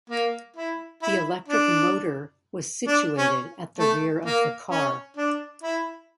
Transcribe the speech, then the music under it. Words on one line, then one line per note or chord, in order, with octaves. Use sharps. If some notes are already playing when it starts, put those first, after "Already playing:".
The electric motor was situated at the rear of the car.
A#3
E4
E4
D4
D4
C#4
A3
A#3
C#4
D4
E4